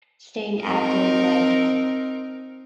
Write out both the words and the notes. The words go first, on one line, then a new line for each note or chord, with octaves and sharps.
staying active, like,
C4 D#4 A#4